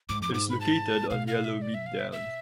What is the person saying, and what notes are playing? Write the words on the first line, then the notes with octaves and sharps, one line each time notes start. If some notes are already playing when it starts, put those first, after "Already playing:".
It is located on Yellowmead Down.
G#2 D6
F2 D6
G#2 D6
B5
A5
B2 F5
F5
E5
D5
E5
F5
E5
E5